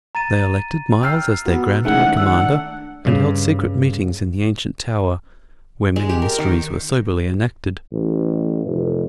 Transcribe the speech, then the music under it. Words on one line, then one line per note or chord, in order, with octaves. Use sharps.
They elected Myles as their Grand High Commander, and held secret meetings in the ancient tower, where many mysteries were soberly enacted.
A#5 A6 D#7
G5 E6 F6 C7
B3 F#4
D#3 G#3 A3 C#4 E4 F#5
D4 F#5 E6
G2 C#3
G#3
G4
A#4
D#3
A1
F1